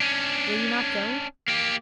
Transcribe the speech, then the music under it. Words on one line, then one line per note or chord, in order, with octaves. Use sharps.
'Will you not go?
C#4 D4
A#3 G4